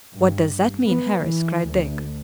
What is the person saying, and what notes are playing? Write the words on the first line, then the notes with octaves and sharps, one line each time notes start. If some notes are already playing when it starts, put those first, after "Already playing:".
"What does that mean, Harris?" cried Dick.
G2
B3
E3
D2